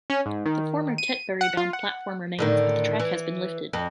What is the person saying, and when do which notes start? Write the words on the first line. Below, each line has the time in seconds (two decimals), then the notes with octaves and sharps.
The former Tetbury bound platform remains but the track has been lifted.
0.10 C#4
0.26 G#2
0.46 D#3
0.98 D#7
1.41 F#5
1.57 F4
1.73 F#5
2.39 A2 D3 D#3
3.00 E3
3.73 F2